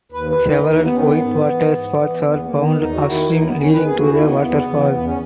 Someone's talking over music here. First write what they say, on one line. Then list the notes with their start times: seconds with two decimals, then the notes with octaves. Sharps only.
Several white water spots are found upstream leading to the waterfall.
0.12 D#2 B4
0.29 B4
0.39 D#3
0.47 D#4
0.65 D#2 D#4
0.83 B3
0.92 D#3 C#4
1.01 B3
1.18 G#2
1.45 E3
1.72 G#2
1.98 E3
2.19 C#4
2.25 E2 B3
2.43 A#3
2.51 D#3
2.60 B3
2.78 E2 D#4
2.95 F#4
3.05 D#3 E4
3.32 D#2 D#4
3.45 B3
3.58 D#3 C#4
3.71 B4
3.84 D#2 G#4
3.98 F#4
4.11 D#3 E4
4.18 A#3
4.24 B3
4.38 E2 B3
4.64 C#3 E3
4.91 E2 B3
5.05 C#4